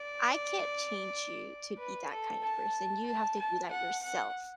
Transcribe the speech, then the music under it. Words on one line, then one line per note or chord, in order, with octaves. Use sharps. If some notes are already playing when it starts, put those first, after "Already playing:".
I can't change you to be that kind of person, you have to do that yourself.
Already playing: D5
B4
A4
A5
A5
A5
F#5
F#5